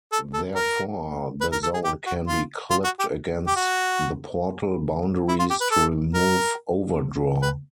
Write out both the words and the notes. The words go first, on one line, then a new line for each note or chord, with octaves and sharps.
Therefore, the zone can be clipped against the portal boundaries to remove overdraw.
A4
A4
A#4
B4
A#4
A4
G#4
G4
F#4
F4
F4
F#4
G4
G4
F#4
E4
F4
G4
B4
A4
A#4
B4